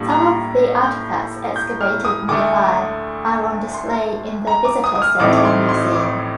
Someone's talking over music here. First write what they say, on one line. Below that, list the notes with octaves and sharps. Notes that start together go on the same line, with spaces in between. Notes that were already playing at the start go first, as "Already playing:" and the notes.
Some of the artifacts excavated nearby are on display in the visitor center museum.
Already playing: A2 G3 A#3 D4
A#5
G6
G6
F6
D#6
D2 D3 A3 D6
C6
A#5
D6
D#6
D#6
F6
A1 A2 A3 C4 D#4 D6
D6
C6
C6
D6